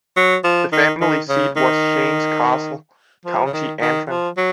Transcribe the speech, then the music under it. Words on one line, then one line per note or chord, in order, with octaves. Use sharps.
The family seat was Shane's Castle, County Antrim.
F#3
F3
D#3
D#3
C#3
D#3
F3
C#3
D#3
D#3
F3
F#3